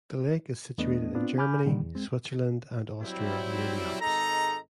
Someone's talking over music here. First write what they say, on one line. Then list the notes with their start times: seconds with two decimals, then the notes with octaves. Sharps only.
The lake is situated in Germany, Switzerland and Austria near the Alps.
0.78 E2 A3 B3 D4 D#5
1.15 B3 C4 D4 F4
1.38 G#5 B5 D6 F6 G6
1.66 A#2 D3 D#3 G3
1.81 E2
1.95 G#3 C4
3.02 F#3 G3 C4 E4
4.01 G#1 G#3 D#4 A4 A#5